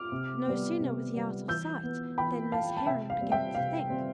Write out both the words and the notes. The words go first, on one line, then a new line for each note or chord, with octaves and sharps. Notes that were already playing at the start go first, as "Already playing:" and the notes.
But no sooner was he out of sight than Miss Heron began to think.
Already playing: D6 F6
C3
G3 B3
C3
G3 B3
E3 E6 G6
B3
E3 G5 B5
B3 F5 A5
A5
C3 E5 G5
F5
G3 C4
E5 G5
C3 F5
G3 C4